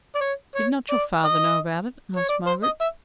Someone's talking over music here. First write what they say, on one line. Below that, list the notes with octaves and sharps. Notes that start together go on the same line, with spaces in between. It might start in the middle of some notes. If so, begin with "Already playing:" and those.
'Did not your father know about it?' asked Margaret.
D5
C#5
C#5
D5
D#5
C#5
D5
C5
D#5
E5